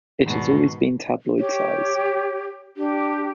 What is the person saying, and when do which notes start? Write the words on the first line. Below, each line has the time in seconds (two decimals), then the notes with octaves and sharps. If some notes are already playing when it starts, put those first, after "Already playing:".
It has always been tabloid-size.
0.24 E2 G#2 B2 D#3
1.39 G4 C#5
2.77 D4 G4